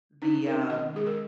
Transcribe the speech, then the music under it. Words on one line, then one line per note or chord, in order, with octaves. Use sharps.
the, um
C#4 D#4
C#4 A#4
D#3 D#5
G#3 G#4
A#4